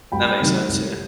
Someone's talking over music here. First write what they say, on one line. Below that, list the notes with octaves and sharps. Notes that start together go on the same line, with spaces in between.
That makes sense. Yeah.
C2 G5 B5
C3 D#3 F#3
C2